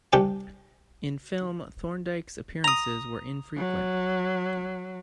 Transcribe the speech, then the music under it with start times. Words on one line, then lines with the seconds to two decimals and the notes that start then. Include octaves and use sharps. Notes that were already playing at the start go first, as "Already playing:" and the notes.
In film, Thorndike's appearances were infrequent.
0.13 C2 C3 D4 G4 G5 G#5
2.64 A#5 D#6
3.57 F#3